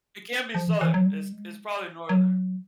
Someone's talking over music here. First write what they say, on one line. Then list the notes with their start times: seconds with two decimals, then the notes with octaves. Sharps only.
It can't be Southern; it's it's probably Northern.
0.55 F3
0.68 E3
0.81 E3
0.94 F#3
1.06 G3
1.32 G#3
2.09 F#3